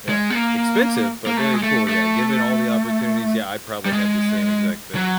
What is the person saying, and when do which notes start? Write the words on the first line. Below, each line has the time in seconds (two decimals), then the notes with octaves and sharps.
Yeah. Expensive, but very cool. Yeah, given all the opportunities, yeah, I'd probably had the same exact thing.
0.09 G#3
0.30 B3
0.35 A#3
1.27 A#3
1.37 A3
1.54 G#3
1.63 A3
1.89 A3
3.85 G3
3.93 G#3
4.95 F#3